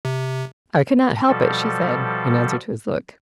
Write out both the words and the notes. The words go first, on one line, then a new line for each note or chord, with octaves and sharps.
"I could not help it," she said, in answer to his look.
C3
B2 F3 G3 A4